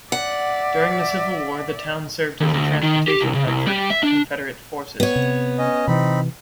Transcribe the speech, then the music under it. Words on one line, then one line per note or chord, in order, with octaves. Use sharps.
During the Civil War the town served as a transportation hub for Confederate forces.
D5 E5 F#5
D#2
D2
D#3
G4
C2
C#3
C2
G3
E5
D4
B3 C#5
C3
C#4 D#5
C3 E3 C4 D#4 B5